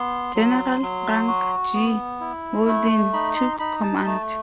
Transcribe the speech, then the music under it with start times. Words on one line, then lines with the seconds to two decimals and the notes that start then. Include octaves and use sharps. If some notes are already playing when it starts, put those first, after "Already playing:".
General Frank G. Mauldin took command.
Already playing: B3 C6
0.35 F#3
0.82 F#3
1.28 F#4
1.74 B3
2.20 E4
2.67 A3
3.13 D#4 B5
3.36 C6
3.59 D#4 B5
3.83 A5
4.06 A3 A5